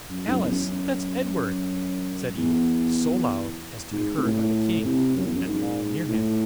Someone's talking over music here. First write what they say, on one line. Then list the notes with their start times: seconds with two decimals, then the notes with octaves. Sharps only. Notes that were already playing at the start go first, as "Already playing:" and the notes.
"Alice, that's Edward!" said Edith, so loud, as to be heard by the king, and all near him.
0.10 F#2
0.27 G#2
0.31 F#2
0.44 E2
0.52 F#2
2.38 E2
3.92 G#2
4.18 C3
4.23 A2
4.80 A2
4.85 C3
5.16 F#2
5.26 E2
5.35 F#2
5.47 G#2
6.09 A2